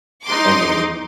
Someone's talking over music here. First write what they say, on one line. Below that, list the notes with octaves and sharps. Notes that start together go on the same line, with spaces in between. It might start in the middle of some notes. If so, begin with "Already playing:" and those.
And then,
D#4 C6 D6